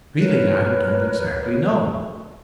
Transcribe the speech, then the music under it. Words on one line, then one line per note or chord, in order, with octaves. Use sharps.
"Really, I don't exactly know."
A#4 B4 C#5 F#6